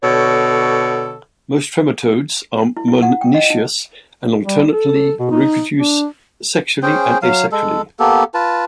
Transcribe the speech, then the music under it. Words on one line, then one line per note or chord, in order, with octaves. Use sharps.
Most trematodes are monoecious and alternately reproduce sexually and asexually.
B2 D3 A4 C#5
E4
E4
F#5
G5
D#5
D#4
G3
A4
B2
D#4
D4
C#4 G#4 C5 G5
F#3 F5
G#3 A4
A#3 B3 G4 A4
F4 B4 A5